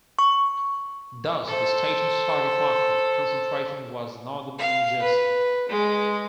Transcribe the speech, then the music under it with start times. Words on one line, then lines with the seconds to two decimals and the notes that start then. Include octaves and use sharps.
Thus the station's target market concentration was northern New Jersey.
0.19 C#6
1.47 A4 C5
4.58 F5
5.02 B4
5.69 G#3